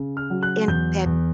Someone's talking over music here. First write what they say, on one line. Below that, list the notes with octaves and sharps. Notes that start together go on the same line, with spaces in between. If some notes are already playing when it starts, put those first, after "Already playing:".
and that
Already playing: C#3
F6
F#3
F#6
E2 G6
E2